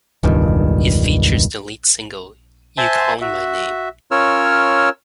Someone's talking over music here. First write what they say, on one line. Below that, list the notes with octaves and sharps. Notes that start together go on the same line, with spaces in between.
It features the lead single "You Calling My Name".
E1 C#2 G2 D#3
C5 E5 G#5 A5 C6
F#4 E5
C#4 F4 A#4 C#5 E6 F6